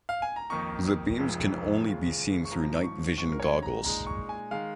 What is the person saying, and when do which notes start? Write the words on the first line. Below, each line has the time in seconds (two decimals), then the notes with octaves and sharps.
The beams can only be seen through night vision goggles.
0.09 F5
0.22 G#5
0.36 A#5
0.50 F2 D#3 A#3 D#4 C#6
1.17 F1 F2 F3 G#3
1.83 F1 D#2 C#3 G#3 F4
2.45 C#6
2.50 G#1 G#2 F3 A#5
2.83 C#6
3.18 G#1 G#2 G#3 C#6
3.32 A#4
3.40 C#5
3.63 A#5
3.84 A#2 G#3 D#4 A#5
4.07 C#6
4.29 G#5
4.51 D#3 G#3 F5